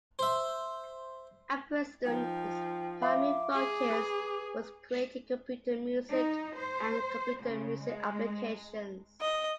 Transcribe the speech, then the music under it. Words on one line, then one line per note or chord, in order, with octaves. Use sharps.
At Princeton, his primary focus was creating computer music and computer music applications.
C5 E5
F3 D#4 A#4 G5
E5 F5 B5 D6
G#4
B4 B5
D#4
C5
C#3
G#3
D#5